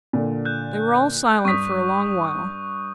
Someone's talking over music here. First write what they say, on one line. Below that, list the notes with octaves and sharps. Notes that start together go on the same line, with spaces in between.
They were all silent for a long while.
A#2 D3
F#6 G6
G2 C#6 D#6 B6